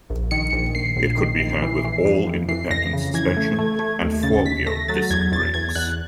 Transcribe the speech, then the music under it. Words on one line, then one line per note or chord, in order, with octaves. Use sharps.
It could be had with all independent suspension and four wheel disc brakes.
A#1
D#3 C#7
A#1
A#1 C7
A#1
D#3
A#1
E3
E3
F2
F2
E3 C7
F2 A#6
C#3
E3 G#6
A3
A3
A3
D#2
C#3 A6
D#2 B6
A3 A#6
F#3 A6
E2 G#6
E2 A6
E2 G#6
E2 F#6